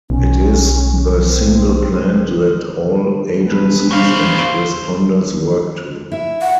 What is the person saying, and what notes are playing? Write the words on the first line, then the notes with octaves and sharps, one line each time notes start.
It is the single plan that all agencies and responders work to.
B1 C#4
C4
E1 B4
B2 C5 F5
E4 E5
F#5